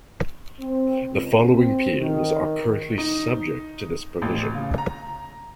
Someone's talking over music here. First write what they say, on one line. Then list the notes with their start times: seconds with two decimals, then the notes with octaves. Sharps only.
The following peers are currently subject to this provision.
0.59 C4
1.11 C#2
1.44 C4
1.99 D#3
2.98 D#4
4.22 A1
4.55 C#3
4.78 A#5